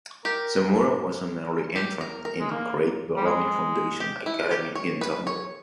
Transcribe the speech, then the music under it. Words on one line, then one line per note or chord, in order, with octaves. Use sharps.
Samura was an early entrant in the Craig Bellamy Foundation Academy in Tombo.
G4 A#4
G4
A#4
A#4
G#3
A#3
G3
G#3
G4
E4
G4
C#5
B4
C#5